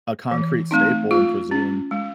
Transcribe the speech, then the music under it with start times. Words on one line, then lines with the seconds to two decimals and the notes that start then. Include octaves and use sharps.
a concrete staple in cuisine.
0.31 E3
0.71 A3 C4 D#4
1.11 G#3 F4
1.51 C#4
1.91 G#3